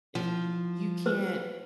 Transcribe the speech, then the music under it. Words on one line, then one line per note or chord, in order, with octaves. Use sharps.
eh, y you can't
F3
B4 C5